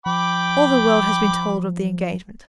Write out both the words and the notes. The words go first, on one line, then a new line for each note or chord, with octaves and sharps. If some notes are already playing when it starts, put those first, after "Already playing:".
All the world has been told of the engagement.
F3 G5 B5 D6